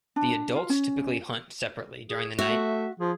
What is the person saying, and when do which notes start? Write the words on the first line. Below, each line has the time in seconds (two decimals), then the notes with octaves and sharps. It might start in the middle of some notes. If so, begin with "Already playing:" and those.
The adults typically hunt separately during the night.
0.16 D4
0.56 F4
0.70 C#4
2.10 G#4
2.39 A3 F#4 E5
3.00 F3 G#4